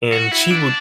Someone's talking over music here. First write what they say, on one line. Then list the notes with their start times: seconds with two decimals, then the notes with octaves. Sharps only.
and she would
0.13 F#4
0.31 E4
0.50 D4